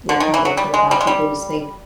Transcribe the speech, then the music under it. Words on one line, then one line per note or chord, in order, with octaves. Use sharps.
like, how they come about, people just think
D3
D#3
E3
F#3
G3
G#3
G3
G#3
G3